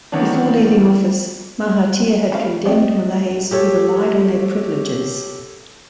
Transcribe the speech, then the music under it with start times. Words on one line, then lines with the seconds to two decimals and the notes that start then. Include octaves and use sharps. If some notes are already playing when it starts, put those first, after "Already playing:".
Before leaving office, Mahathir had condemned Malays who relied on their privileges.
0.12 D#3 E3 B3 C#4 D4
2.32 F5 B5
2.65 C4 D5 D#5
3.51 G4 A4 C#5